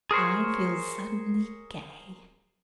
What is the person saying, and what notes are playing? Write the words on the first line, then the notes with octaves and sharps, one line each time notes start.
I feel suddenly gay.
G#4 A#4 C5 C#5